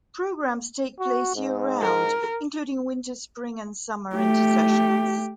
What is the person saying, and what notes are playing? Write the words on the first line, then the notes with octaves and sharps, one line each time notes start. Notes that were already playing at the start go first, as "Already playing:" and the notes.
Programs take place year round including winter, spring and summer intersessions.
F#4
G#2
A#4
A3 G4